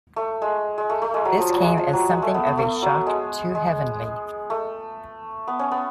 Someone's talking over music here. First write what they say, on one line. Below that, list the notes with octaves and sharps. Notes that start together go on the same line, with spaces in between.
This came as something of a shock to Heavenly.
A3
G#3
G#3
A3
A3
G#3
F#3
F3
F#3
G#3
F3
F#3
G#3
A3
B3
B3
A3
F#3
G#3
G#3
A3
B3
C#4
B3